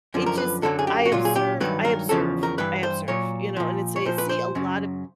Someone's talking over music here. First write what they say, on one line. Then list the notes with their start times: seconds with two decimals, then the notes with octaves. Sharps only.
it just I observe, I observe, I observe, you know? And it's I see a lot of
0.14 F#2 D3 F3
0.26 A#4
0.38 B4
0.62 F#2 D3 F#3 A4
0.79 G#4
0.87 G4
1.05 F#4
1.12 A#2 F#3 F4
1.25 G#4
1.36 G4
1.60 G2 D#3 F#3 B4
1.85 A#4
2.09 E2 C#3 F3 A4
2.43 A#4
2.58 G2 E3 B4
2.83 C5
3.08 A#2 F#3 C#5
3.56 A#2 F3
3.96 C#5
4.05 A#2 F3 C5
4.18 B4
4.29 C5
4.55 F#2 C#3 F#3